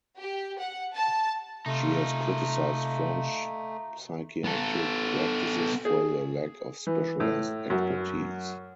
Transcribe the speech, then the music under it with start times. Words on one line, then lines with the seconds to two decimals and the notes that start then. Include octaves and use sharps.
She has criticized French psychiatric practices for their lack of specialized expertise.
0.19 G4
0.60 F#5
0.95 A5
1.66 C3 A3 D#4 F4
4.44 B3 A4
5.85 G#4
6.87 E3
7.20 A2
7.70 F#2